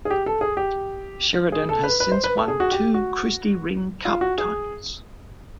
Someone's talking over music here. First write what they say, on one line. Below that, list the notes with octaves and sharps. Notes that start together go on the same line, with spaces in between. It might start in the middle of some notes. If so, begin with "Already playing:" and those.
Sheridan has since won two Christy Ring Cup titles.
G#4
G4
A4
G#4
G4
G#4
A4
B4
B4
C5
B4
A4
G#4
F#4
G4
F#4
F4
F#4
G#4